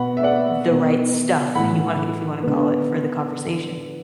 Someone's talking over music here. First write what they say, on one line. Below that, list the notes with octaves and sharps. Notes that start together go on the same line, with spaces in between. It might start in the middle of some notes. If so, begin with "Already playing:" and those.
The right stuff, you wanna if you wanna call it, for the conversation.
Already playing: B2 B3 F#5 B5
E5
D5 F#5
B2 B3
A2 E3 A3 F#5 B5
D3 B3